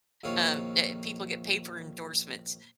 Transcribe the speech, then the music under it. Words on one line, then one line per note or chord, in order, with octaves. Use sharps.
um, that people get paper endorsements.
A#1 F2 D#3 E4 C#5 F5